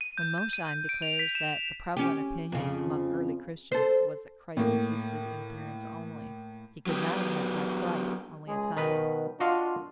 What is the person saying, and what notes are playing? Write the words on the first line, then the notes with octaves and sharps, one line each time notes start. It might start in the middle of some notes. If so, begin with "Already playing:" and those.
When Mosheim declares that "The prevalent opinion among early Christians was that Christ existed in appearance only," he could not have meant by 'Christ' only a title.
D#7
G6
G6
D#7
D7
F7
B6
E7
C#4 G4
F2 C#3
A4 C5
A2 A#3
F#3 B3 G4
C#2 G#3 G#4
B2 D#3 B4
D4 F4 F#4 D#5 F5